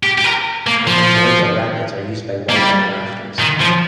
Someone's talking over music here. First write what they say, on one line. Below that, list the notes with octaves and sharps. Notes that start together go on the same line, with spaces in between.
The Nymboida rapids are used by white water rafters.
G4
G4
A#4
A#3
F3
A#3
G3
D#3
F3